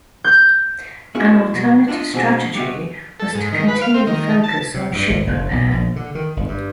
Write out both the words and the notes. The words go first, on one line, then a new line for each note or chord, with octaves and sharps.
An alternative strategy was to continue the focus on ship repair.
G6
A#3 C#4 E4 F#4 G#4
B2 F#3
D4 E4 F4 D#5
B2 D3 C4 F#4 G#4
G3 B3 F4 F#4 D#5 E5
A4
G#2
D#3
B4
F5
C4
D#3
A5
C3
G2
G#1
F#1
B1
A#1
D3
D#3
G1
G2